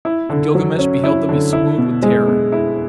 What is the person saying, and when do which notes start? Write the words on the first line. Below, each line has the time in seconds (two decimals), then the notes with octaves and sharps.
When Gilgamesh beheld them he swooned with terror.
0.05 E4
0.29 D3
0.55 F#3
0.79 C#4
1.04 E4
1.29 D3
1.53 E4
1.78 B2
2.03 G#3
2.27 B3
2.52 E4